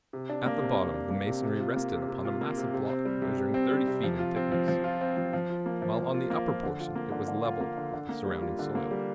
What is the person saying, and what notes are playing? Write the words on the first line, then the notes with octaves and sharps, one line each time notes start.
At the bottom the masonry rested upon a massive block measuring thirty feet in thickness, while on the upper portion it was level with the surrounding soil.
C3
D4
A#3
C3
C3
D4
A#3
C3
C3
F4
A#3
C3
C3
F4
A#3
C3
C3
C4
G3
C3
C3
C4
G3
C3
F3
F4
C4
F3
F3
F4
C4
F3
F3
F4
A#3
F3
F3
F4
A#3
F3
D3
F4
A#3
D3
D3
F4
A#3
D3
D3
A#3
G3
F4
D3
A#3
G3